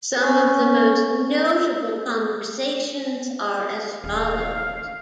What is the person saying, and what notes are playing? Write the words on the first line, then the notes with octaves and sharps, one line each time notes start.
Some of the most notable conversations are as follows.
C#4
D#1 F5